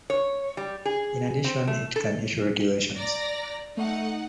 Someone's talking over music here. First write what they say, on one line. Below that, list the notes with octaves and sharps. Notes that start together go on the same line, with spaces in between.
In addition, it can issue regulations.
C#5
G3
G#4
C4
A3
A4
D5 A#5 A#6
A3 D#4 F#5